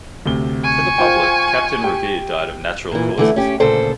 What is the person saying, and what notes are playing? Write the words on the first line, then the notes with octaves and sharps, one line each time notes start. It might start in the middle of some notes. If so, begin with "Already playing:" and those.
To the public, Captain Revere died of natural causes.
D2 C3 G7
G#5 C#6
F4 C5 G5
G4 G5
A#2 E3
D3 E3 A3
C#4 G4
D2 A#2 C#3 A4 C5